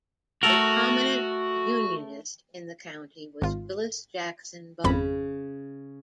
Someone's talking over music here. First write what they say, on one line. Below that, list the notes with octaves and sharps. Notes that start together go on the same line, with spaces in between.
A prominent Unionist in the county was Willis Jackson Bone.
A3 F#4 A4 A#4
G#1 F4
G#1 F2 C#3 B5